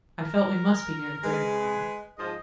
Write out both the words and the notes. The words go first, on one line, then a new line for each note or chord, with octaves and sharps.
I felt we must be near to Thirty Mile.
A#4
G#3 B4
G#2 F3 D#5